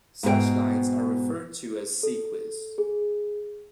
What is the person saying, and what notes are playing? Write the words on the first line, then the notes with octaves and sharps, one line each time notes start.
Such lines were referred to as "ceques".
G#2 B2 B4 G5
A4
G#4